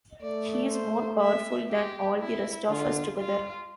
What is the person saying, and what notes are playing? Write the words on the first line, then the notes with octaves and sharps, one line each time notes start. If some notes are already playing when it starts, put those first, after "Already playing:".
He is more powerful than all the rest of us together.
A3 D5
C5
E5
G4
E4
D3 F4
F4